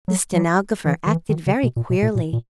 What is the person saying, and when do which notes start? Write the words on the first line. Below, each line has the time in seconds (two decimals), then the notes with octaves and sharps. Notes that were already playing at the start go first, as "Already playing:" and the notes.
The stenographer acted very queerly.
0.08 F#3
0.34 F#3
0.86 E3
1.06 D#3
1.11 E3
1.29 D#3
1.46 C#3
1.63 B2
1.76 A#2
1.90 B2
2.02 A#2
2.15 A#2
2.33 A#2